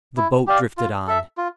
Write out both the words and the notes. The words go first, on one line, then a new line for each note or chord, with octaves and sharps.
The boat drifted on.
E4
G4 D5 F5
F4
A4 E5
F4